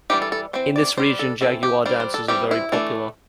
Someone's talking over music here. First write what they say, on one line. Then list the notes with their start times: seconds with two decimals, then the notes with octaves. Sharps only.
In this region jaguar dances are very popular.
0.10 E3 G3 D4 G4
0.22 A4
0.32 A4
0.53 E3 C4 C5
0.76 D5
0.98 G3 D4 C5
1.19 A4
1.41 E3 C4 A4
1.63 G4
1.86 G3 D4 C5
2.00 C5
2.14 A4
2.28 E3 G3 C4 G4
2.51 E4
2.72 E3 A3 D4